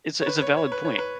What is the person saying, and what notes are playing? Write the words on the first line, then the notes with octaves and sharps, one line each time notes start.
It's a it's a valid point.
C#5
B4
C#5
C#5
B4
C#5
B4